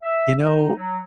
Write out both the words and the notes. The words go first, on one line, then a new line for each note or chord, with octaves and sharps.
You know,
E5
D#4
F#3